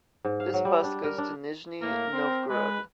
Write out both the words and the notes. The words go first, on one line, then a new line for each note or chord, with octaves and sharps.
This bus goes to Nizhniy Novgorod.
G#2
F5
F#3
G3
D4
A#4
D4
A2 A#3 A#4
C4
G#3 B4